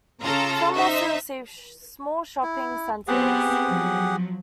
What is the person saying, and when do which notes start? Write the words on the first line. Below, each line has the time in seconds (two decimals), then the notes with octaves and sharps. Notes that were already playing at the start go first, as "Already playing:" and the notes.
Some also received small shopping centers.
0.23 C#3 F4 A4 A#5
0.75 D#4 C5 E5
2.43 E4
3.08 B3 C4 G4 G#4 F#5
3.70 F3 F#3